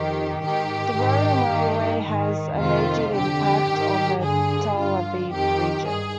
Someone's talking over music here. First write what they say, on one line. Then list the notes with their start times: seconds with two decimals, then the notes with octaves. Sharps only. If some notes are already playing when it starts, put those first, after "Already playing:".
The road and railway had a major impact on the Tel Aviv region.
Already playing: F2 D#3 G4
0.41 G#2 D#3 G4
0.96 G#2 D#3
1.50 G2 D#3
2.04 G#2 D#3
2.59 F2 C3 D#3 F4
3.13 F2 D3 G4
3.68 G#2 D#3
4.22 G2 D3 G#4
4.77 G2 D3 F4
5.31 F2 D#3 G4
5.86 G2 G#4